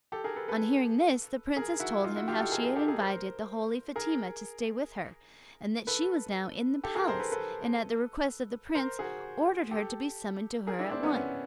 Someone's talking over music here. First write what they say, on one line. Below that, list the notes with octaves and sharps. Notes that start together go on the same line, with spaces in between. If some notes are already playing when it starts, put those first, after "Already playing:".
On hearing this, the princess told him how she had invited the holy Fatima to stay with her, and that she was now in the palace; and at the request of the prince, ordered her to be summoned to her at once.
G4 A4
G#4 A#4
A4 B4
A4 B4
G#4 A#4
E4 F#4
D#4 F4
E4 F#4
F4 G4
G4 A4
G#4 A#4
G#4 A#4
G4 A4
G#4 A#4
A#4 C5
G#4 A#4
A4 B4
G4 A4
G#4 A#4
A#4 C5
A4 B4
A4 B4
A#4 C5
F#4 G#4
G4 A4
G#4 A#4
D4 E4
C4 D4
B3 C#4
B3 C#4